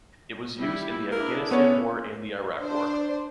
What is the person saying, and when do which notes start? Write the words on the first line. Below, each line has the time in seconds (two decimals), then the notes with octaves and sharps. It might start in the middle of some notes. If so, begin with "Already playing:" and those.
It was used in the Afghanistan War and the Iraq War.
0.58 G3 E4 G4
1.12 D4 E4 G#4 A#4
1.51 B3 C#4 C#5
2.61 D4 C5